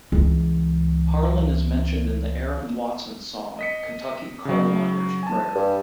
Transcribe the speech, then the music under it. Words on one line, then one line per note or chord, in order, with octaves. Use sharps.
Harlan is mentioned in the Aaron Watson song "Kentucky Coal Miner's Prayer".
C#2 E3
D#5 B6 C#7
C#3 F#3
G#5 A5
G2